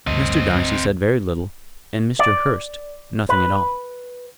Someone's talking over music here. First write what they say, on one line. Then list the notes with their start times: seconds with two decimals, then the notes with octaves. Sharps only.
Mr. Darcy said very little, and Mr. Hurst nothing at all.
0.07 D2 G2 C4 D#5
2.19 D5
3.29 B4